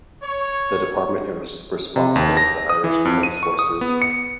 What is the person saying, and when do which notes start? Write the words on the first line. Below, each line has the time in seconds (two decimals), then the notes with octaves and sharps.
The Department is responsible for the Irish Defence Forces.
0.22 C#5
1.96 C3
2.16 D#2
2.37 A#6
2.70 D#6
2.84 E3
3.05 F2
3.23 D#7
3.43 C#6
3.59 D#6
3.81 B3
4.02 C#7